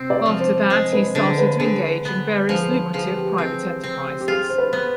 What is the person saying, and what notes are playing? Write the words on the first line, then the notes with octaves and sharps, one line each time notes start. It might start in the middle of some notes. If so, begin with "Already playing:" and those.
After that he started to engage in various lucrative private enterprises.
Already playing: C3 C4
D5
F3
C5
G#3 C5
B4
D3 G#4
B4
D3 G#4
B3
F3 G#4
B4
F3 G#4
G4
C4 G#4
C4
G4
F4 G#4
C5
B4
B3